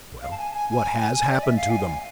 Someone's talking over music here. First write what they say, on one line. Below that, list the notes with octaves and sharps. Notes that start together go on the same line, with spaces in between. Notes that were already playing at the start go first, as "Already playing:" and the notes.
"Well, what has happened to them?"
F5
A5
G#5
G#5
G#5
D5
E5
F5
G#5
G#5